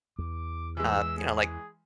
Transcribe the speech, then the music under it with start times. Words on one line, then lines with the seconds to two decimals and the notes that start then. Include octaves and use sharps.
uh, you know, like
0.19 E2 D6
0.77 E3 G#3 E6
1.18 G#4